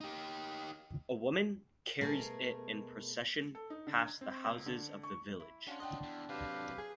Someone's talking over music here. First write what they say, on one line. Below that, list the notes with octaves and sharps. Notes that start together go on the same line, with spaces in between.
A woman carries it in procession past the houses of the village.
D#4 G4
B2 A3 G#4 A#4
A4
D#4
D3
G#6
C4
C#2
D3
C#6
E4
C#4 D4 F#4 F5 C6
C#4 C5 D#5 F#5 G5
E2
C3 F#3 G4 B4 F5
G#4